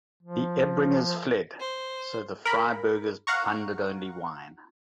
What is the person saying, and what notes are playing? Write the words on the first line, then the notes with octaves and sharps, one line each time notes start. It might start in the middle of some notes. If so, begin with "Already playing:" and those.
The Ebringers fled, so the Freiburgers plundered only wine.
F3
C5
A#4 B5
F5 F#5 A#5 C#6